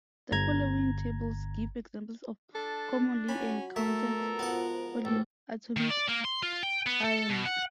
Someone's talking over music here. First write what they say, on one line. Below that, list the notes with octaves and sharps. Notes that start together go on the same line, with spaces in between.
The following tables give examples of commonly encountered polyatomic ions.
G1 A#5 G#6
D4 A4 A5
F#3 C#4 B5
A3 A4 A#4 E5
B2
G#2 F3 B3 F#5
A1 C4 G#4 A4
D#3
D5
A#3
C6
F4
G5
B3
A4
B2
F#5